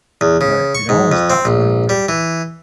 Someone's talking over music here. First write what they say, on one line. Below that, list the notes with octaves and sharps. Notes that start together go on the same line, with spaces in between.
but it almost got blown away.
E2
C#3
C#6
G#2
F2
C4
A#1
G3
E3